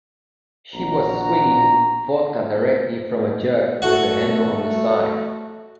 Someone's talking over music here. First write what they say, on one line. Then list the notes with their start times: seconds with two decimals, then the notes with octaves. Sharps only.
She was swigging vodka directly from a jug with a handle on the side.
0.75 A#1 F#4 A#5
3.82 A3 F#4